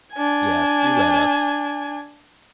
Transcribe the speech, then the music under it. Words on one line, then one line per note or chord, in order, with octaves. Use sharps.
"Yes, do let us."
D4 G#5